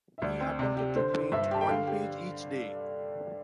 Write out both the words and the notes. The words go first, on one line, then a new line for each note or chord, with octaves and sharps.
He attempted to paint one page each day.
E5
D2 D5
C4
C3 D5
G4 D5
D3 C5
D3
G2 E5
G4 A5
G5
D3 F5
G4